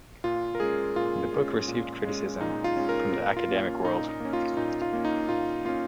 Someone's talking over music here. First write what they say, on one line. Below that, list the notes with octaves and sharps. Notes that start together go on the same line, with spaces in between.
The book received criticism from the academic world.
A#2 F4
A#4
G#3 C#4 G#4
A#2 F4
G#3 C#4
A#2
G#3 C#4
A#2 D#4
F4
G#3 C#4
A#4
A#2 A#4
F4
A#3 C#4
F4
A#2 D#4
D#4
A#3 C#4
F4
A#2 D#4
F4
A#3 C#4
D#4
A#2 F4
A#3 C#4 F4